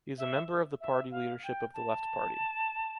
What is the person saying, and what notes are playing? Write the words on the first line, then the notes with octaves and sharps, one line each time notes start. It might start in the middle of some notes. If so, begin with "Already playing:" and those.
He is a member of the party leadership of the Left party.
E5
E5
F5
G5
A5